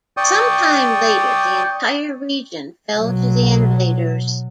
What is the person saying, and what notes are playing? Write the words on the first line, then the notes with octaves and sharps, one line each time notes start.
Sometime later the entire region fell to the invaders.
D5 G5 C#6 D#6
B2 F#3